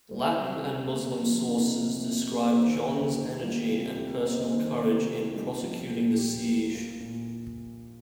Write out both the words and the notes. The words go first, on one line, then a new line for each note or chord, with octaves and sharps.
Latin and Muslim sources describe John's energy and personal courage in prosecuting the siege.
G3 C5
C3
C3 G4
A#3
F3 F4
C3 D#4
C3 F4
A#3
A#3 G4
C5
D#3 A#4
C5
A#3 C5
A#4
D#3 G4
A#4
G3 F4
C3 F4
C3 G4
A#4
C5
A#3 D#5
D#5
D#3 C5
A#4
C3 C5
G4
C3 F4
G3 D#4
F3 F4
A#2
A#2 G4
A#3
A#3 F4
A#2